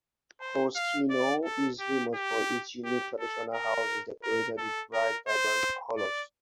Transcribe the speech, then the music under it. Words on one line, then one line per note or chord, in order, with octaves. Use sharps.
Koskinou is famous for its unique traditional houses decorated with bright, vibrant colours.
C5
F5
D5
A4
G4
G4
G4
A4
A#4
A#4
A4
A#4
C5
D5